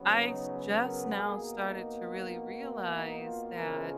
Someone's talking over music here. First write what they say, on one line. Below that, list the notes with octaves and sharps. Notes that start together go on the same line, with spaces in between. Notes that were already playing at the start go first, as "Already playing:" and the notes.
I s just now started to really realize that
Already playing: C#3 F#3 B3
D#4
A#4
B2 A#3 G#4
D#4
D#4
F4
C#3 F3 G#3 B3 A#4